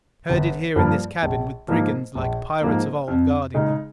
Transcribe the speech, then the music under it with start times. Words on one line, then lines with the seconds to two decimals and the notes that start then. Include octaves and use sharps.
Herded here in this cabin, with brigands like pirates of old, guarding them.
0.30 G1
0.76 G2 F3 A#3
1.23 A#1
1.68 G#2 F3 A#3
2.15 A#1
2.62 G#2 F3 A#3
3.08 F2
3.54 C#3 G#3 D#4